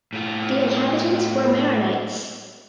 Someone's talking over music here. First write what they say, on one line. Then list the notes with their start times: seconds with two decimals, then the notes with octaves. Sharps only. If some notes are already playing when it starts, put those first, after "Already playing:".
The inhabitants were Maronites.
0.13 A2 F4